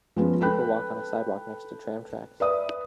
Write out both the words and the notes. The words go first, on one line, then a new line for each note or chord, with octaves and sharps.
People walk on a sidewalk next to tram tracks.
F3 G#3 B3 C#4
A4 B4 G5 B5 F#6
B4 D5 E5 D#6